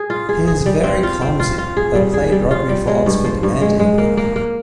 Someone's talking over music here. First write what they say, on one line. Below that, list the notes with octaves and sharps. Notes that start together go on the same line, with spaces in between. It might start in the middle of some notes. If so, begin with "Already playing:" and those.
He is very clumsy, but played rugby for Oxford and England.
Already playing: G#4
F4
G#4
G#4
G3
C4
F4
C4
F4
F4
G#4
G3
G#4
G3
F4
G3
G#3
G2
F3
G2
G#3
G#3
A#3
A#3
A#3